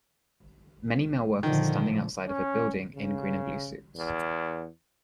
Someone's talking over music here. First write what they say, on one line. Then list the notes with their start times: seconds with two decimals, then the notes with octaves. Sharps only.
Many male workers are standing outside of a building in green and blue suits.
1.43 A#2 D3 D#3 F3
2.27 C#4
2.95 C#3
3.96 E2